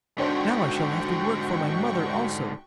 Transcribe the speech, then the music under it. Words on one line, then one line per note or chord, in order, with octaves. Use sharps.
Now I shall have to work for my mother also.
G#2 D3 D4 F#4 C5 G5 C6 C#6